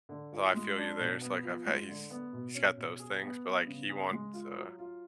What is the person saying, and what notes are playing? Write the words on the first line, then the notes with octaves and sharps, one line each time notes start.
Well, I feel you there. It's, like, I've had he's he's got those things, but, like, he wants, uh,
D3
F4
G#3
D4
B2
B3
F3
G#3
D3
B3
B2
C#4
B2
G#4
B3
B3
C#3
G#4
G#3
F4
F#3
F4